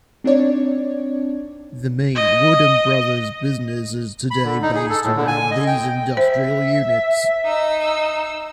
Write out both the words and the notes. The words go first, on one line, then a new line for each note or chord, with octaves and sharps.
The main Woodham Brothers business is today based around these industrial units.
C4 D4 D#4 C#5 D5
D#5
B5
D3
D#4
G#4
A4
A2
D3
G#5
D#5
G5
C5 E5
D#4 E6